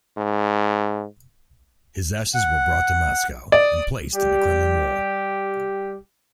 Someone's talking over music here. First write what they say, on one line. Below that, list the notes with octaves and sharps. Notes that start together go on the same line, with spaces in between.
His ashes were brought to Moscow and placed in the Kremlin wall.
G#2
F#5
D5 D#6
G3 G4